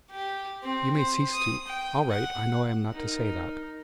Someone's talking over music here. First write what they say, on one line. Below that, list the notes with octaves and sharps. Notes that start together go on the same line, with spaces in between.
You may cease to... all right, I know I am not to say that.
G4
C4
C5
D#6
G5
F#5
D#4 A#4